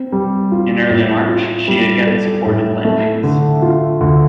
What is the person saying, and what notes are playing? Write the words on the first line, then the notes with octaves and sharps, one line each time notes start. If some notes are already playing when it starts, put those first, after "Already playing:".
In early March, she again supported landings.
Already playing: C4
G3
F4
A2
F4
G3
A4
A2
A3
D3
F4
D2